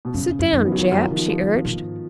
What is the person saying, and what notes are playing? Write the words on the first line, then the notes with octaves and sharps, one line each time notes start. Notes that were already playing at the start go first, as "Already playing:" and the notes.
"Sit down, Jap," she urged.
B2
F#2 C#3
F2
F#2
F#2 D#3
B3
F#3
F2 F3
F#2 D#3
F3
D#3
F3
F3
F2
G#2
A#2
G#2